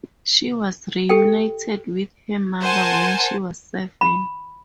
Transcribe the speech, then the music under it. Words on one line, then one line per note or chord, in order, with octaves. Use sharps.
She was reunited with her mother when she was seven.
G4 A4 G5
A#4 C5 F#5 G#5 A5
B5